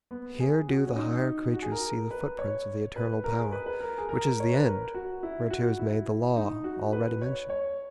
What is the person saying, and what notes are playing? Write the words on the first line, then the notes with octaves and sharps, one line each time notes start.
Here do the higher creatures see the footprints Of the Eternal Power, which is the end Whereto is made the law already mentioned.
B3
G#4
F#4
C#4
D#4
F#4
G#4
A#4
B4
C#5
B4
A#4
G#4
B4
B4
A#4
G#4
A#4
C#5
B4
A#4
F#4
E4
F#4
E4
D#4
F#4
B4
C#5
C#5